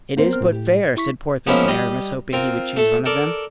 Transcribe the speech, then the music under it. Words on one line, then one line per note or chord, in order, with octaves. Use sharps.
"It is but fair," said Porthos and Aramis, hoping he would choose one of them.
A#3 C4 A#4 C5
B3 F6
A2
G4
E4 C#6 B6
F3 G#3 A#3 B3 C#4 E4
G3 D#5
C4 F4 A#4
A3 A4
A4 A#4 D5